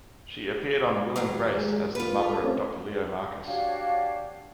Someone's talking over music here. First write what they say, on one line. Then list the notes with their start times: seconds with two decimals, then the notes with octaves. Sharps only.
She appeared on "Will and Grace" as the mother of Dr. Leo Markus.
1.16 D#2 A2 F#3
1.54 G#3
1.95 A#3 F4 B4
2.19 A4
2.44 A3 C4 C#4
3.46 D4 F#4 G4 C#5 F5